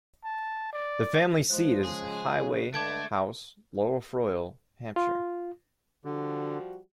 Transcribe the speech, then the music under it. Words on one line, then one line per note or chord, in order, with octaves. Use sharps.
The family seat is Highway House, Lower Froyle, Hampshire.
A5
D5
F3 G#3 C5 F#6
C#3 G#4
C#3
G2 D3 G#3 A3 A5 D6 G#6 D7
F4
D3 F3 G3 F#4